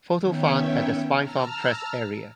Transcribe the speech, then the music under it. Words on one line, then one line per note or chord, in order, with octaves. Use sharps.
Photo found at the Spinefarm press area.
D#3 B3 C#4 C#5 E5 G5
A5 A#5 E6 F6